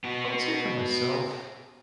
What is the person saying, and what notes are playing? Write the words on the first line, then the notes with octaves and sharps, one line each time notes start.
I would say for myself,
B3 F#4